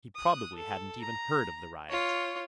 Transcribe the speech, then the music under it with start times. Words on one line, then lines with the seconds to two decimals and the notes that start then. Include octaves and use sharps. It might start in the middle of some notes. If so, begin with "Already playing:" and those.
He probably hadn't even heard of the riot.
0.16 D#6 F#6
0.55 A4
1.01 A#5
1.90 F4 C#5